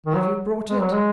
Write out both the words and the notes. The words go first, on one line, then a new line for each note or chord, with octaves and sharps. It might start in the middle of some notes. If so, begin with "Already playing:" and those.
"Have you brought it?"
D#3
F#3
G#3
F#3
G#3